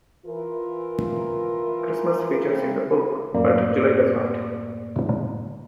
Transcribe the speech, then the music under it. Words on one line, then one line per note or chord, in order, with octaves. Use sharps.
Christmas features in the book, but July does not.
E3 F4 A#4
A#3 C4 E4 A4 C5
F#2 A2 A#3 D5